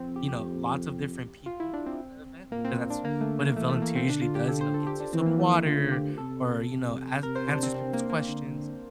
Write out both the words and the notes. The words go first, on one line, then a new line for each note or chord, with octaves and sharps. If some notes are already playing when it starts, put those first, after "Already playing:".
you know, lots of different people throughout the event because that's what a volunteer usually does, you know, gets you some water or, you know, ans answers people's questions,
Already playing: F2 C4
G4
G4
F4
E4
D4
C4
A#2 A#3
C4
D4
D3 A#3
A3
A#3
E3 A3
A3
A#3
C4
D3 D4
F4
G4
A4
C5
A4
G4
D4
E3 C4
A#3
A3
A#3
D3 F4
G4
C3 A4
C3
C3 A#4
C5
D4
C4
C4
A#3
A#3
D3